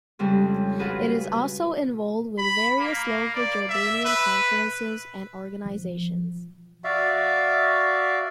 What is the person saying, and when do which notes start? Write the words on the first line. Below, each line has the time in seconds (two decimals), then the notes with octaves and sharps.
It is also involved with various local Jordanian conferences and organizations.
0.19 F2 C#3 G3 G#3
0.79 F4 F#4 G#4 B4
2.38 B5
2.80 A#3
3.34 D5
3.69 E5
4.05 B4
5.66 F3
6.84 F#4 D5 E5 F5